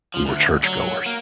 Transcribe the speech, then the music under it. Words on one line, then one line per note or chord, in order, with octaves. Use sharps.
we were churchgoers
F3
D2
F#3
A#3